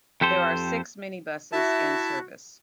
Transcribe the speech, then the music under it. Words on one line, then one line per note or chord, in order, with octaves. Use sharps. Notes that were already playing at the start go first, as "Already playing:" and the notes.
There are six minibuses in service.
F2 G4 A4 C5
E4 F#4 E5 A5